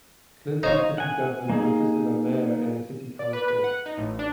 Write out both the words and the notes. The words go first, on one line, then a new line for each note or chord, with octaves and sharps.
Clinton city government consists of a mayor and a city council.
D#4 C5 C#5 F5
F#5 G#5
A#3 D#4 G#4
D5
B4
B4
F#5
D#4
A1
D4